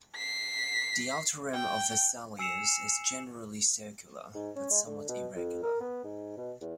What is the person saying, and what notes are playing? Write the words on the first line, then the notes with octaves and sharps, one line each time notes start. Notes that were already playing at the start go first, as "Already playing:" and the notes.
The outer rim of Vesalius is generally circular but somewhat irregular.
B6 C7
G5
G#5 E6 C7 C#7 E7 F7
G#2
C#4
G#3
D3
B2
F2
A#4
B3
G#2
B2
E2